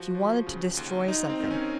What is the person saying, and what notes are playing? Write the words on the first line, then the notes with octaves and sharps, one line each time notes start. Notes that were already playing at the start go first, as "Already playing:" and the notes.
She wanted to destroy something.
Already playing: F3 F#4
F3
C#3
D#2
D#2 D#4
C4
D#3
C#4